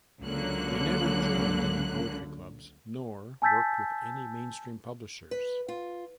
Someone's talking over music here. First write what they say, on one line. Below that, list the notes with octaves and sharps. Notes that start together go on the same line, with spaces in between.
She never joined any poetry clubs nor worked with any mainstream publishers.
C#2 D3 F#3 A#3 F#6
G#5 A5 E6 G6 A6 B6
B4
F4